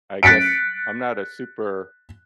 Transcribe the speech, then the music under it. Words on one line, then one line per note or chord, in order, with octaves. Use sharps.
I guess, I'm not a super,
F#6 A6 B6 C#7 D7